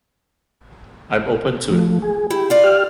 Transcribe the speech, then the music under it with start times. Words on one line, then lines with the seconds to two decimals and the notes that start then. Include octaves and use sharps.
I'm open to it.
1.71 F3 A3
2.02 G#4
2.30 E4 G4
2.50 F4 D5 F5
2.64 G4 F6